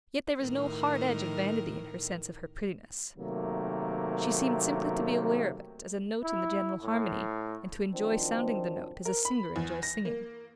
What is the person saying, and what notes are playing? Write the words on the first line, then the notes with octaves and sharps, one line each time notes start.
Yet there was no hard edge of vanity in her sense of her prettiness: she seemed simply to be aware of it as a note in the general harmony, and to enjoy sounding the note as a singer enjoys singing.
A2 D#3 A#4
C3 D#3 F#3 A3 A#3
E4
A2
D#3 F3 F#3 C4 D4
A#4
B5
E2
A#6
A#3